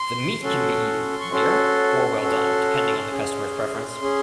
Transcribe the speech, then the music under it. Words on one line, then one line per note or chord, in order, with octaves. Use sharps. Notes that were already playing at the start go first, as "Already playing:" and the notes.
The meat can be eaten rare or well done, depending on the customer's preference.
Already playing: C6
C#4 F#4 A4
C#6
C#4 F#4 A4 C6
C#4 F#4 A4
C#4 G#4
C#4 G#4